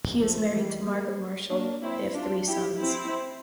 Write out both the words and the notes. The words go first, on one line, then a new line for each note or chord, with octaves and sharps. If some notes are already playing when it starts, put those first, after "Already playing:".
He is married to Margot Marshall; they have three sons.
F3 A3
E3 G3
G3 A#3
A#3 D4
C4 E4
D4 F4
E4 G4
C4 E4